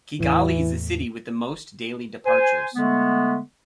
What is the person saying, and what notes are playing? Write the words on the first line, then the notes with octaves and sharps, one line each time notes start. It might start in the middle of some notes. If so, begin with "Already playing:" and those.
Kigali is the city with the most daily departures.
E2 A2 E3
C5 G#5
D3 G#3 A3 B3